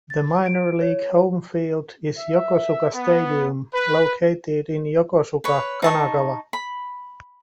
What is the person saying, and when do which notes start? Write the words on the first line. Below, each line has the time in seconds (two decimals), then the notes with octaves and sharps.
The minor league home field is Yokosuka Stadium, located in Yokosuka, Kanagawa.
0.10 A6
0.46 D7
0.81 C#5
2.18 E5
2.95 B3
3.75 B4
5.44 B4 C#5
5.82 D#4 A5 C#6
6.53 B5